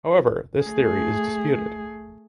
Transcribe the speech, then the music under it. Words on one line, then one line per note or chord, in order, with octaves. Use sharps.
However this theory is disputed.
A3 G#4